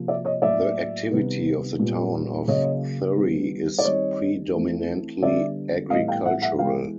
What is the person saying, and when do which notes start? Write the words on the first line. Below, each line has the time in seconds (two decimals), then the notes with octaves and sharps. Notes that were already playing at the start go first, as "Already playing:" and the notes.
The activity of the town of Thury is predominantly agricultural.
Already playing: C3 F3 A#3
0.08 D5 E5
0.25 C#5 D#5
0.42 A2 F#3 A#3 D5 E5
1.11 C3 D#3 G3 B3
1.79 A#2 G3 B3
2.48 C#3 F#3 A#3 C#5 D#5
3.16 D#3 G3 B3
3.79 D5
3.84 D#3 G3 C4 C#5 D#5
4.54 E3 A3 C4
5.22 D3 G3 B3 D5 E5
5.90 A2 E3 G3 B3 D#5 F5
6.08 F5 G5
6.25 E5 F#5
6.42 E5 F#5
6.59 E3 G#3 B3 F5 G5